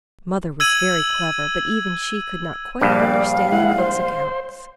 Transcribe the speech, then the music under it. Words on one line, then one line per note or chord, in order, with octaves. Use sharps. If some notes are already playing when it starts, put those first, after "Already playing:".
Mother was very clever, but even she could not quite understand the cook's accounts.
E6 G#6 D#7 F#7
A#1 G2 D5 F5
G#3 E4 F#5
C5